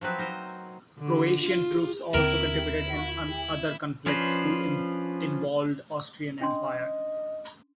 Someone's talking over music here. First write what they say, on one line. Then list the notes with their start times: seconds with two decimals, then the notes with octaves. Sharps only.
Croatian troops also contributed in other conflicts who involved Austrian Empire.
0.01 F3 F#3 C4 B4
0.18 D#4 A#4 C5
0.98 D3
1.45 F4
2.14 D#2 D3 C4 E4 A#4
4.06 F3 C#4 D4 B4 C5
6.41 C#4 D4 D#5 C6